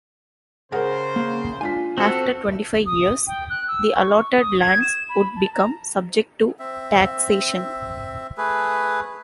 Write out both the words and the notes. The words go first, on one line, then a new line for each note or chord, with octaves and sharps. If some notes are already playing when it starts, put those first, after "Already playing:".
After twenty-five years, the allotted lands would become subject to taxation.
C#3 G#4 A#4 C5 F#5
A#3
D4 F4 G#5 B6
C4 F#4 A4
D#6
G5
F#6
E6
C#6
D#6
G#6
E7
B5
A5
A#5
C4 E5
A3 G#4 B4